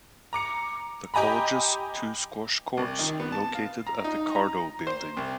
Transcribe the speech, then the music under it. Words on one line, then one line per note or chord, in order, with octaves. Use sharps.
The college's two squash courts, located at the Cardo Building.
A#5 D6 C#7
G4 D#5 G#5 A#5 B5
C2
D#3
B3
A5
F5
A#5
D#4
A#5
C5
C2